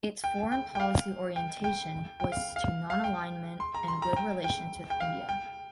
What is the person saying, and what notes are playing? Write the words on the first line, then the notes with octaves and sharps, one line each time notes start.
Its foreign policy orientation was to nonalignment and good relations with India.
G5
G5
G5
F5
G5
G5
G5
F5
F5
F5
G5
C6
A#5
C6
A#5
G5
G5
G5
F5
G5